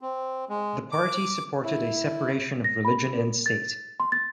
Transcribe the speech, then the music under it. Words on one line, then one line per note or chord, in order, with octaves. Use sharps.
The party supported a separation of religion and state.
C4
G#3
D6
E4
A#6
B5
A#4
A6
C6
A6